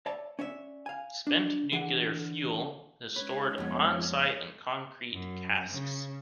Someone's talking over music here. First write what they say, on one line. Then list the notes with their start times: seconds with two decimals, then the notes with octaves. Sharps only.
Spent nuclear fuel is stored on-site in concrete casks.
0.06 C#5 D5 E5 A5
0.39 C#4 C#5 D5 E5
0.86 F5 G#5
1.27 D4
1.72 D3 E3 G#4 F#5
3.16 G#3 C#4 D#4 B4 C#5
3.58 F2 B3
5.13 F#2
5.70 C#3